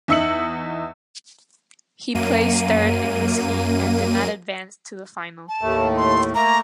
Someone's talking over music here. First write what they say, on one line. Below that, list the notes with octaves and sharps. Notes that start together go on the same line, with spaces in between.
He placed third in his heat and did not advance to the final.
E2 D#4 E5 E6 C#7 F#7
F#2 A#3 D#7
A5
D#2 A2 A3
C6
A3 A#3 A#5